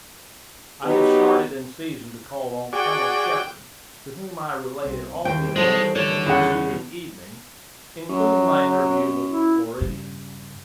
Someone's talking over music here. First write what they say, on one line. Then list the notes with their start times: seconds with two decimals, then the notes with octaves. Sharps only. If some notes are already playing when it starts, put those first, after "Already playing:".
I had started in season to call on Colonel Shepard, to whom I related all the events of the preceding evening, including my interview with the Floridian.
0.85 F#3 B3 D#4 G4
2.73 F#4 G#4 D5 F#5 G5
4.82 C2 C4
5.25 D#2 D#3 E3 G3 G5
5.56 F#3 G#3 A4 C5
5.95 D3 C#5
6.26 E2 C#3 F#5
8.09 F#2 F#3
9.30 E4
9.81 G2 C#3